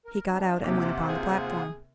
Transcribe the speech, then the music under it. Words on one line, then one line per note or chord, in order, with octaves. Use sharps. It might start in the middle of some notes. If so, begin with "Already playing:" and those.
He got out and went upon the platform.
A#4
C3 D4
D#2 C3 G4 G#4
F4 C5 F#5
G#4